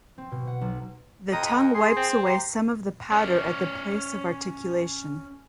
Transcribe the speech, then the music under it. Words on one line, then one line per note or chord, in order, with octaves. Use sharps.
The tongue wipes away some of the powder at the place of articulation.
C4
B2
F#5
B1
F2 D#5 A#5 D#6
D#5
G#4 C6
C4
G4 A#5 C6
C#4 D5